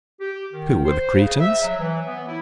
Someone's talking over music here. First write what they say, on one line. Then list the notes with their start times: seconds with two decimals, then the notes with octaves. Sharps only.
Who were the Cretans?
0.20 G4
0.51 D#3
0.84 C5
1.16 C#3
1.41 E5
1.63 F#3
1.80 E3
2.06 B3
2.28 E4